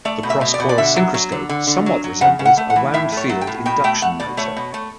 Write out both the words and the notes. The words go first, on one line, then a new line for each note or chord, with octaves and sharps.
The cross-coil synchroscope somewhat resembles a wound-field induction motor.
A3 D5
B2
E5
B2
D5
B2
D5
D3 E5
F#3
F#3
D3
D3
D3
F#3
F#3
C#3 F#5
C#3
F#5
A3
F#5
E3
A2 E5
A3 C#5
F#3
G5
A2
B2 G5
A3 G5
A3 F#5
B2 D5
A3 C#5
B2
A3